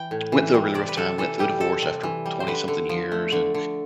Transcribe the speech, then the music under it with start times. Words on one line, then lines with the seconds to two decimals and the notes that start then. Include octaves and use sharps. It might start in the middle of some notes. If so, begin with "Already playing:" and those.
went through a really rough time, went through a divorce after twenty-something years, and
Already playing: E3 G5
0.11 A2
0.32 E3
0.54 G3
0.74 C3 D5
0.89 B4
0.96 C3 A4
1.18 E3 A4
1.39 G3 G4
1.60 C3 A4
1.82 C3
2.03 E3
2.26 G3
2.40 C5
2.47 D3 B4
2.68 D3
2.89 F3
3.12 A3
3.32 D3
3.54 D3